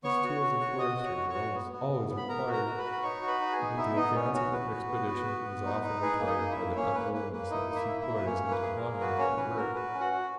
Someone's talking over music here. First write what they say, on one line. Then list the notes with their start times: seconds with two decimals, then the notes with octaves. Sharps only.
These tools of foresters were almost always required; but the advance of the expedition was often retarded by the unwillingness of the Sepoys and Johanna men to work.
0.04 B3 C#5 C#6
0.24 F#4
0.41 F#4
0.60 F#4
0.78 F#4 D#5 D#6
0.97 F#4
1.04 C#5 C#6
1.16 F#4
1.29 C#5 C#6
1.34 F#4
1.54 B3
1.72 B3
1.91 B3
2.09 B3
2.17 B5
2.28 B3 A#4 A#5
2.47 F#4
2.53 A#4 A#5
2.66 F#4
2.78 B4 B5
2.84 F#4
2.92 B5
3.02 D#4 C#5 C#6
3.22 F#4
3.27 B4 B5
3.40 D#4
3.52 G#4 G#5
3.58 B3
3.77 D#4 E4 E5
3.96 B3 D#4 D#5
4.15 B3 C#4 C#5
4.34 C#4 F#4 C#5
4.52 F#4 B4
4.71 F#4
4.89 B3
5.08 F#4
5.27 B3
5.45 B3
5.65 D#4
5.83 D#4
6.02 G#4 B4
6.20 A#3
6.26 D#4 D#5
6.39 A#3
6.51 E4 E5
6.57 A#3
6.76 A#3 C#4 C#5
6.94 A#3 B4
7.13 A#3 B4
7.32 A#3 B4
7.50 D#4 E4 D#5
7.70 A#3
7.75 E4 E5
7.88 E4
8.01 E4 E5
8.07 A#3
8.18 B4
8.25 A#3 C#4 C#5
8.44 A#3
8.51 B4
8.62 G#4
8.76 A#4
8.81 A#3
9.01 F#4 B4
9.19 C#4 C#5
9.37 C#4 B4
9.56 F#4 A#4
9.74 F#4 B4
9.94 C#4
10.00 F#4 F#5
10.12 F#4